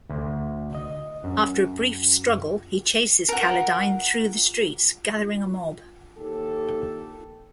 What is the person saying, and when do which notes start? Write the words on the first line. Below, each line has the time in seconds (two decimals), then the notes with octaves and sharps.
After a brief struggle, he chases Kaledine through the streets, gathering a mob.
0.09 D2
0.75 D#5
1.24 F#2
3.29 A#4 F#5
6.18 D#2 G4 A4